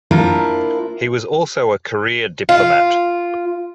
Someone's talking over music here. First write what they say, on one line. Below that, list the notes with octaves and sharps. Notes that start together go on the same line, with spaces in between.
He was also a career diplomat.
A#3 D4 E4 F4 A#4 C5
F4